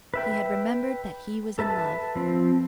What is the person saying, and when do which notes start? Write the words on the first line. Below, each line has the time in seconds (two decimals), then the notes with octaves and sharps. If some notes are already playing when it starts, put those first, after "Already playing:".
He had remembered that he was in love.
0.14 B4 E5 G5
1.59 A4 B4 E5 A5
2.16 F3 C4